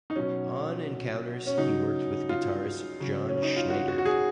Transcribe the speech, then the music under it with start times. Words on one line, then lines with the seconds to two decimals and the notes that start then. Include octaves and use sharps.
On Encounters he worked with guitarist John Schneider.
0.10 D#4
0.16 B2 F#3 C#4
1.47 C#4
1.57 C#3 F#3 D#4
2.29 F4
3.00 C#3 F#3
3.29 C#4
3.42 D#4
3.56 F4
3.70 F#4
3.88 F#4
3.98 F#4
4.05 G#4